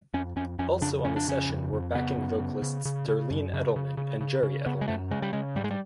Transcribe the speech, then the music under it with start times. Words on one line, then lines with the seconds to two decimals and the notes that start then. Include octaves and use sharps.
Also on the session were backing vocalists Darlene Eddleman and Jerry Eddleman.
0.14 F2 C#4
0.36 F2 C#4
0.59 F2 C#4
0.81 C#3 D4
1.04 F2 C#4
1.16 D4
1.27 C#3 C#4
1.49 F2
1.73 F2
1.95 C#3 B3
2.17 F#2
2.40 C#3
2.62 C#3
2.85 C#3
3.08 C#3
3.31 F#2
3.53 C#3
3.76 C#3
3.97 C#3
4.21 C#3
4.43 C#3
4.66 C#3 B3
4.81 G#3
4.88 F#2 A3
5.11 C#3 G#3
5.22 G3
5.33 C#3 G#3
5.55 G#2 G3
5.64 G#3
5.71 G3